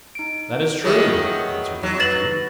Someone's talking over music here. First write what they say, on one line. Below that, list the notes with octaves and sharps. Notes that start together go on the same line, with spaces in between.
"That is true," answered the marquis.
D#4 D7
D#3 F#3 B3 G#4 E5
F#3 D#4
B4 A6 E7 F#7